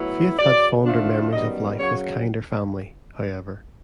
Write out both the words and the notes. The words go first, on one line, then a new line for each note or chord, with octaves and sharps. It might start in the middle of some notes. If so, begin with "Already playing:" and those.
Faith had fonder memories of life with kinder family, however.
Already playing: A2 F#3 B3 E4
F#2 C#3 F#3 D5
D3 F3 A3 D4 F4
F#2 D#3 G3 B3 D#4 D#5
F#2 C#3 F#3 C#5